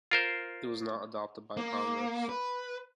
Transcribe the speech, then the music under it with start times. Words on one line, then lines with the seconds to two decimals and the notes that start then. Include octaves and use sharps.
It was not adopted by Congress.
0.11 F4 A#4 C5
1.57 A#3
2.29 B4